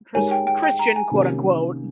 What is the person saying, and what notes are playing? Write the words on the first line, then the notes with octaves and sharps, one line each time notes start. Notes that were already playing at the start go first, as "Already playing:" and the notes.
Chris Christian, quote unquote.
G#3 D#4 G4 A#4 C#5 G#5
G5
G5
G5
A#5
G#5
C3 D#3 A#3 C#4 G4